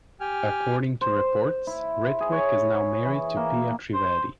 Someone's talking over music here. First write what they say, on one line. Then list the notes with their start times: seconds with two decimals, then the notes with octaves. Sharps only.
According to reports, Ritwik is now married to Pia Trivedi.
0.21 G4 G5 G#5 F6
1.01 C5
1.67 E4
2.20 G#4
2.32 C#5
3.05 E3
3.37 A#3
3.94 C5